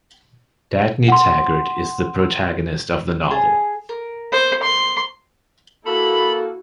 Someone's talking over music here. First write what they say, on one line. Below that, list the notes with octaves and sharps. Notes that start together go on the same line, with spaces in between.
Dagny Taggart is the protagonist of the novel.
F#5 C6
G#4 G#5 A5
A#4
C5
C6
A#3 E4 F#4 A4 B5